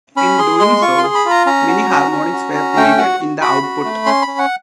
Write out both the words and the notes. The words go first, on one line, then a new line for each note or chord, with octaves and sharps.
In doing so, many harmonics were created in the output.
C#4 B5
G#4 C6
G#3 C6
F4 C#6
C6
G#4
B5
F4
A#5
C#4 A#5
F#4
C#4
C#4
F#4
C#4
A3 G5
F#4 F#5
F#4
F#4 B5
F#4
A3
C#4 C6
B5
C#4
F#5